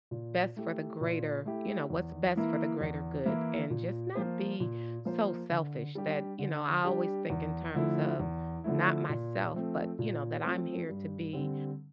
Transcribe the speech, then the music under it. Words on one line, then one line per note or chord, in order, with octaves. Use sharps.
best for the greater you know, what's best for the greater good, and just not be so selfish that you know, I always think in terms of not myself, but, you know, that I'm here to be
A#2
A3 E4 G4
A#2
A3 E4 G4
E2
E3 A#3 E4
E2
E3 A#3 E4
A#2
F3 A#3 F4 C5
A#2
F3 A#3 F4 C5
D3
G3 D4 G4
D3
G3 D4 G4
E2
D3 F3 A3 E4
E2
D3 F3 A3 E4
A#2
F3 A3 C4
A#2
F3 A3 C4
G2
D3 G3 C4